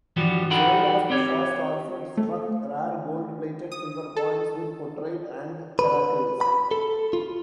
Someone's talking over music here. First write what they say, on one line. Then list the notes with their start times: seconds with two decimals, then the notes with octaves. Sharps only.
Zoilos the First also struck rare gold-plated silver coins with portrait and Heracles.
0.16 G2 E3 F3 G3 F#4 G4
0.50 D#4 F#4 A4 F#5 G5 B5
1.10 C4 G4 C#5
2.17 A3
3.72 D#6
4.16 A4
5.79 B4
6.41 B5
6.71 A4
7.13 F4